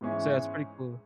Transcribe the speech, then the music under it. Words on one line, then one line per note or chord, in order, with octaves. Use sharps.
So that's pretty cool.
G#2 E3 G#3 C#4 E4